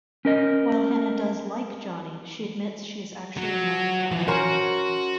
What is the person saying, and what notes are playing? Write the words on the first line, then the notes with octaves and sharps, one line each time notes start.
While Hannah does like Johnny, she admits she is actually in love with Don.
C#4 A#4 D#5
F#3
E3 F3
C#4 F#4 A#4 C5